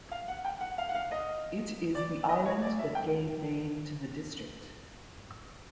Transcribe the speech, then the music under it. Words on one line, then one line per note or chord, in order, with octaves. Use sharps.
It is the island that gave name to the district.
F5
F#5
G5
F#5
F5
F#5
F5
D#5
D5
D#5
C#5
D5
E5
G5